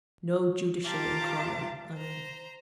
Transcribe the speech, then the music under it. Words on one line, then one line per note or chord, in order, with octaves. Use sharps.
No judicial inquiry, I mean.'
F4 G4 F5 A5 A#5 D6
C5 A#5